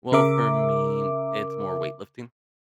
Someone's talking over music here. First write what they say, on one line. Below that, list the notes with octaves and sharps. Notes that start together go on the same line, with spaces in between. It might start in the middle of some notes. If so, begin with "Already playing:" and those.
Well, for me, it's more weightlifting.
C#3 A#4 E5 D6